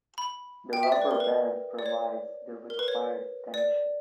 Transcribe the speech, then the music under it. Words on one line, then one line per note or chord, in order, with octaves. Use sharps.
The rubber band provides the required tension.
B5
G5
E5
D5
B4
A#4
B4
D5
C#5
A#4
B4
C#5
D5